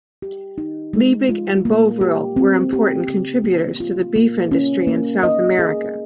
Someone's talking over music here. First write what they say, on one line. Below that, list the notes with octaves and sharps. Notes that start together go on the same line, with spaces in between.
Liebig and Bovril were important contributors to the beef industry in South America.
G4
D#4
G#3
F4
A#3
G4
C4
G4
C#3
A#3
F4
A#3
C#4
A#3
D#5
G#4